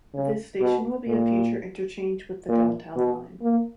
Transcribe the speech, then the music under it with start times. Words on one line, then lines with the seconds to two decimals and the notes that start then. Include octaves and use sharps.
This station will be a future interchange with the Downtown Line.
0.14 C#3
0.61 B2
1.07 A#2
2.49 A#2
2.96 B2
3.42 A#3